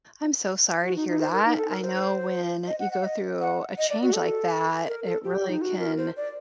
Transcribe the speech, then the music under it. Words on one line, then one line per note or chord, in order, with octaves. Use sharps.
I'm so sorry to hear that. I know when you go through a change like that, it really can
F#4
D#4
D#4
C5
A#4
D#4
A4
A#4
C5
D#5
F#5
F#5
D#5
F#5
D#5
D5
F#4
A4
A#4
A4
G4
D#4
F#4
A#4
C5
D5